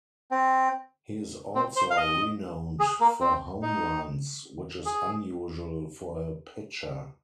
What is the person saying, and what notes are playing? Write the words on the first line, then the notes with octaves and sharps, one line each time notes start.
He is also renowned for home runs, which is unusual for a pitcher.
C4
C4
C5
F5
D#5
G#4
A#3
C4
D#4
G#4